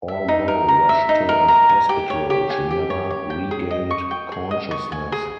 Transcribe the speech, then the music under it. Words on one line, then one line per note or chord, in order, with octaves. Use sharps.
Although rushed to a hospital, she never regained consciousness.
E5
D#4
A#4
A#5
E5
D#4
A#4
A#5
G#5
G4
C#5
G4
G#5
G4
C#5
G4
G5
G#4
D#5
C#6
G5
G#4
D#5
C#6
G#5
G#4